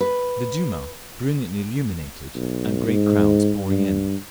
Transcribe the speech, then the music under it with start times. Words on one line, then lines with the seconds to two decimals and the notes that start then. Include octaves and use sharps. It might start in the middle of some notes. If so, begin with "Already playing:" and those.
The Duma brilliantly illuminated and great crowds pouring in.
0.01 B4
2.35 B1
2.87 G#2
3.67 G2